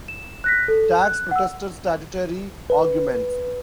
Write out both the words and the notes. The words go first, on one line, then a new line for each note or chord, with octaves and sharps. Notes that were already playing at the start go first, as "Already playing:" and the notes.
Tax protester statutory arguments.
E7
F#6 A#6 B6
A4
F#6
F#5 E6
B4